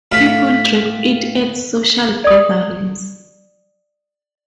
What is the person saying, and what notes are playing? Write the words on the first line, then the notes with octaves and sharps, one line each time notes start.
People drank it at social gatherings.
A2 F4 E5 F5 B5
D5 D#6